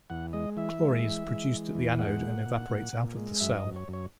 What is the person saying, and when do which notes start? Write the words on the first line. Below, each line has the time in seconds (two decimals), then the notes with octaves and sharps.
Chlorine is produced at the anode and evaporates out of the cell.
0.10 E2 F#5
0.33 G#3 D#5
0.57 E3 E5
0.81 G#3
1.04 E3
1.28 G#3
1.51 E3
1.75 E2
1.99 G#3 F#5
2.22 A#2
2.46 A#2
2.70 A#2
2.93 A#2
3.16 G#3
3.40 F#2 E5
3.58 D#5
3.64 F#2
3.76 C#5
3.88 F#2
3.93 C#5